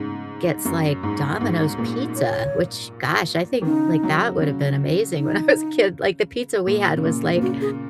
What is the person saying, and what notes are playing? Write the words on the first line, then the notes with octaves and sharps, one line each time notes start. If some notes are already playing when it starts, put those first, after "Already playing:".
gets like Domino's pizza, which, gosh, I think like that would've been amazing when I was a kid. Like, the pizza we had was like
Already playing: G#2 C#3
F#2
G#2
G#2
A#2
C#5
D#3
C#3 D#4
F#3
C#3
D#4
A#2
C#3
A#2
A#2
C#3 F#4
G#4